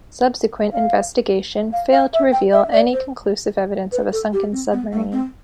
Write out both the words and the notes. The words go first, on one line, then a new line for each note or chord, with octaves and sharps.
Subsequent investigation failed to reveal any conclusive evidence of a sunken submarine.
F5
F5
F5
E5
G5
E5
D5
C5
B4
A4
G4
C4
B3
A3
C4